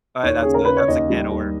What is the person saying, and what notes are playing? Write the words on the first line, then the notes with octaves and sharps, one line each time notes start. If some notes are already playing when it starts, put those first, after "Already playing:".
alright, that's a that's a can of worms.
D#2 C#5
C#3 G#4
A#4
C#3 B4
C#5
D#2 D#5
G3
D#2